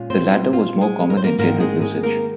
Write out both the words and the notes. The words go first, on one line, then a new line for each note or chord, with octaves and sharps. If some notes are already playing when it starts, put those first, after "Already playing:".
The latter was more common in general usage.
Already playing: A#2 G#3 C#4 F4
C4 C5
F4
G#3 G#4
A#4
C5
A#3 A#4
G#2 D#3 G#3 A#3 C4 D#4 A#4
G#3 G#4
G#3 G#4
A#3 A#4